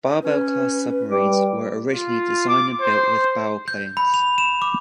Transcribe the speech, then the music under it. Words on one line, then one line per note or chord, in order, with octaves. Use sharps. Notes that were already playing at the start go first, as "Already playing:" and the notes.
"Barbel"-class submarines were originally designed and built with bow planes.
C#4 B4
G3 D6
F4
D6
C5
G6
B5
F7
E7
D6